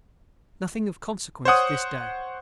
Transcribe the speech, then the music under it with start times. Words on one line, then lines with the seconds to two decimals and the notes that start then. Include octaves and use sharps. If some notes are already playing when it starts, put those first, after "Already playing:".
Nothing of consiquence this day.
1.45 C5 C#5 F#5 D#6